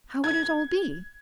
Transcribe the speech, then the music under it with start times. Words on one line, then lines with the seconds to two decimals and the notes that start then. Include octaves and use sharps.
How would it all be?
0.24 G#6